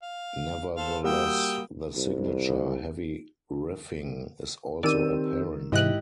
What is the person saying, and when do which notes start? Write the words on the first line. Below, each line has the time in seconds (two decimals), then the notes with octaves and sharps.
Nevertheless, the signature heavy riffing is also apparent.
0.03 F5
0.77 A4 C5 F5
1.04 G3 A#3 F#4 G5 D#6 E6
1.96 C2
4.83 D#3 C4 G4 D5 E6 D#7
5.72 G#2 C3 E3 E4 G4 D#5 F#6